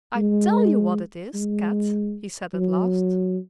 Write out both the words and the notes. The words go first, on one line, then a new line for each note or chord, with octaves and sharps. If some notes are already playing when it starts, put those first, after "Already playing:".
"I tell you what it is, Kat," he said at last.
G#3
G#3
F#3